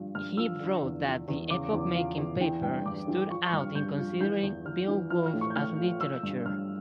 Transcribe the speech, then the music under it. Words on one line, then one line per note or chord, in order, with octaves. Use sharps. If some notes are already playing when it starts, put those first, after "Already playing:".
He wrote that the "epoch-making paper" stood out in considering "Beowulf" as literature.
Already playing: G2 F3
G2 F6
F3 E6
D3
E2
F3
E2
C#3 D6
E2
F3 F5
E2
E3 G5
G2 G5
G2 D6
E3
F3 C#6
C#6
G2
F6
G2 G6
F3
E3 G6
E2
E2 F6
E3
F3 F6
F6
A2
C#6
G6
A2 F6
F3
F3 E6
G2
G2 F6